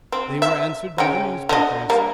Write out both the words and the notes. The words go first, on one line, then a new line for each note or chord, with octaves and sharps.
They were answered by the newspapers.
C4
E5
C#3 C#4 G5
D3 D#5
G3 A#3